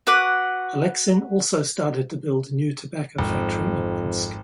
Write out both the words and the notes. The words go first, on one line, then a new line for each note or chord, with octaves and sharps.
Aleksin also started to build new tobacco factory in Minsk.
F#4 B4 F#5 D6
G#1 F2